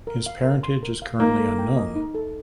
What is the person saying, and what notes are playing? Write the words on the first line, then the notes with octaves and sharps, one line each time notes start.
His parentage is currently unknown.
A#4
F5
A#4
C6
A#4
F5
A#3 D#4
A4
G5
D#5
D#4
A4